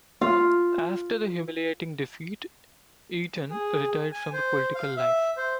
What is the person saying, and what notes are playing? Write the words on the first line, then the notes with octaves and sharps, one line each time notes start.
After the humiliating defeat, Eitan retired from the political life.
F4 F5
G#4
G#5
C5
F5
E5
C5